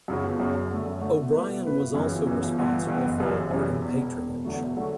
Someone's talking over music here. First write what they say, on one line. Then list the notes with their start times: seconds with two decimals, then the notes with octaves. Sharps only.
O'Brien was also responsible for awarding patronage.
0.08 F#2 C#3 F#3
0.24 G1
0.40 F#2 C#3 F#3
0.55 F#2
0.70 D3 A3
0.86 F#2
1.01 D3 A3
1.17 B2
1.32 A3 E4 B4
1.48 B2
1.64 A3 E4 B4
1.79 G1
1.94 F#2 C#3 E3
2.11 G1
2.27 F#2 C#3 E3
2.42 G1
2.58 G2 E3 B3
2.73 G1
2.89 G2 E3 B3
3.05 F#1
3.20 F#2 C#3 E3 G3
3.35 F#1
3.51 F#2 C#3 E3 G3
3.67 E1
3.82 E2 B2
3.98 E1
4.14 E2 B2
4.29 E1
4.45 E2 D3 F#3 A3
4.61 E1
4.76 D3 F#3 A3